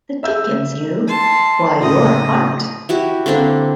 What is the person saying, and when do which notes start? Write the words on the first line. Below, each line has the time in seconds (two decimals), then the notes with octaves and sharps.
The dickens you — Why, you're Hart!
0.23 E5 E6 G6
1.08 A5 C6
1.81 A2 C#3 D#5
2.89 E4 F#4 G4
3.26 D3 A#3 C4 D4